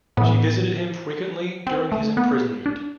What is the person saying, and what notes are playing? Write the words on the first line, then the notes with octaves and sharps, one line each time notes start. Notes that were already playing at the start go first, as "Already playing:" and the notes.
She visited him frequently during his imprisonment.
A2 E3 B3
C4
A3
B3
D4